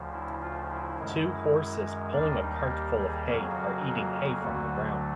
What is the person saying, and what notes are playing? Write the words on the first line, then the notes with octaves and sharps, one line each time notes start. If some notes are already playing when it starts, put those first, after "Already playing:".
Two horses, pulling a cart full of hay, are eating hay from the ground.
Already playing: D2 C#3 F3
E4
F4
E4
F#2 D#3 G#3
D#2 D#3 G3 A#3 D4
D#4
G4
G#4
F2 C#3 F#3 A#3 G#4
F#4
D2 D3 F#3 A3 F#4